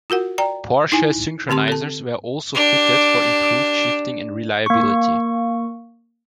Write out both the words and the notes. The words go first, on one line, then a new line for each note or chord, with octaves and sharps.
Porsche synchronizers were also fitted for improved shifting and reliability.
F4 F#4 A#4 F#5
D5 G5 A#5
D#4 E4 G#5
D3 C4 G4 A5 C6
A4 A5
D4 G4
A#3 C#6